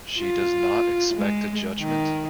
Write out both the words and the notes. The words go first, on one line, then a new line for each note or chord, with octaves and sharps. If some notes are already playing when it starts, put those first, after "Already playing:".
She does not expect a judgment?
F4
G#3
D#3